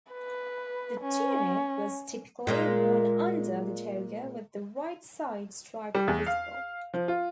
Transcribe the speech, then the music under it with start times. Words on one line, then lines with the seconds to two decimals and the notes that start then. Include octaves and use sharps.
The tunic was typically worn under the toga with the right side stripe visible.
0.12 B4
1.01 C#4
2.47 A#2 G#3 A#3
5.95 G3
6.08 E2
6.26 F5
6.94 F3
7.08 F4